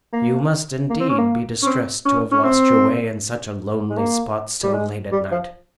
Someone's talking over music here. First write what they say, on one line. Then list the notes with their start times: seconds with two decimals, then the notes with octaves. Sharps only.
You must indeed be distressed to have lost your way in such a lonely spot so late at night.
0.13 A#3
0.90 A#3
1.00 C4
1.09 C#4
1.18 A#3
1.63 C#4
1.66 C4
2.06 C#4
2.32 C#4
2.43 C4
3.90 G#3
3.97 A#3
4.64 G3
4.73 G#3
5.12 G3
5.32 F3